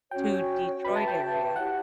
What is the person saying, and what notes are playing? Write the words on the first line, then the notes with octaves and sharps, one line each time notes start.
to Detroit area,
C#4 F#4 C#5 G5
F#4 B4 E5 B5
A5
G5
E4 G4 C#5 F#5